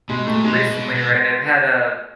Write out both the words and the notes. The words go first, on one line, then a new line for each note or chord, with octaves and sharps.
recently, right, I've had a
B2 G#3
A#2 A3
B2 G#3
B2
B2